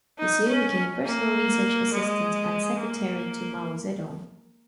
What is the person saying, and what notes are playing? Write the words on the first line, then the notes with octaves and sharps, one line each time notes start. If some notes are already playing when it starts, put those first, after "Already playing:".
He soon became personal research assistant and secretary to Mao Zedong.
D#4
C#4
A#3
G#3
A#3